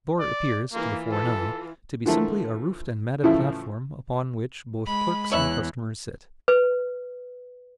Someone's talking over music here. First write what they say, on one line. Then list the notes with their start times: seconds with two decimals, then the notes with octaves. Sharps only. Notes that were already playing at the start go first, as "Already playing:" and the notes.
The store appears, to the foreign eye, to be simply a roofed and matted platform upon which both clerks and customers sit.
0.19 D5
0.73 E3 A#3 F4
1.12 A4
2.06 D3 E3 F3 A3 A#3
3.23 A2 C#3 E3 F3 A3 E4
4.86 G#3 B5
5.31 E2 E3 C#5 E5 B5 F#6
6.48 B4